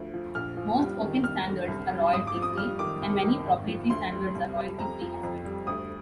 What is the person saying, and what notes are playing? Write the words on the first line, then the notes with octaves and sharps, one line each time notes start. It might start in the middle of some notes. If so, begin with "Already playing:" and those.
Most open standards are royalty-free, and many proprietary standards are royalty-free as well.
Already playing: D2 F3
F3
A#1 F6
F3
G3
D#3
G3 F6
D3
C2
G3
G#1 D#6
D6
F3
D#6
G3 F6
D#3 D6
C2
D#3
G#1
F3
D2 C6
G3
C2
G3
F2 A#5
F3
F2
G3
D2 D#6